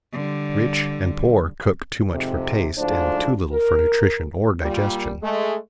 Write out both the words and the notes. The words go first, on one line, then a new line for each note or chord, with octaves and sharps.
Rich and poor cook too much for taste and too little for nutrition or digestion.
D3 G3
F2 G#2 C3
D2 G#2 F3 D4 C5
A#4
A#2 G3
G#3 A3